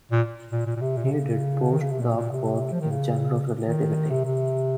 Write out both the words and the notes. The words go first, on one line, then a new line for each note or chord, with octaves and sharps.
He did post-doc work in general relativity.
A#2
A#2
A#2
A#2
C3
A#2
C3
C#3
D#3
C#3
C3
A#2
A#2
C3
F3
D#3
C#3
D#3
C3
C3